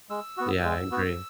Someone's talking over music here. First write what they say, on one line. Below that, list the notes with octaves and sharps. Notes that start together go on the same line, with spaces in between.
Yeah, I agree.
G#3 E6
B3 F#4
G#3
B3 F#4